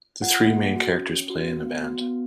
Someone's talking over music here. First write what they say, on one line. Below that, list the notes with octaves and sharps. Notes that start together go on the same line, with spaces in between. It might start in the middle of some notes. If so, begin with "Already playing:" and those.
The three main characters play in a band.
F4 F#5
A#3
G#4
F#4
C#4
C#4
F#4
B3
B3
F#4
B3